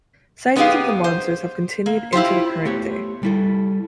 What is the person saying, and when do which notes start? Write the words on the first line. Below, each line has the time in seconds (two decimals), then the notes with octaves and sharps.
Sightings of the monster have continued into the current day.
0.56 F#2 B3 D#4 G4 G#4 F5
1.04 C5
1.86 A#3
2.12 E4 F4 G4 C5
2.65 A3 B3 G4 C#5
3.23 G3 E4 A4